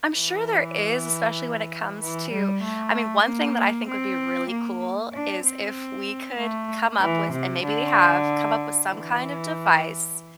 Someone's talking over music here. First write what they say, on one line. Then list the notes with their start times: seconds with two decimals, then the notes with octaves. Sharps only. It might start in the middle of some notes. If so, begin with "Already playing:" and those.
I'm sure there is, especially when it comes to I mean, one thing that I think would be really cool, is if we could come up with- and maybe they have- come up with some kind of device
0.11 E3
2.00 E3
2.31 G3
2.63 A3
3.25 A#3
3.88 C4
4.50 A#3
5.13 D4
5.44 C4
6.39 A3
7.01 E3
7.33 C3
7.64 D3
8.89 E3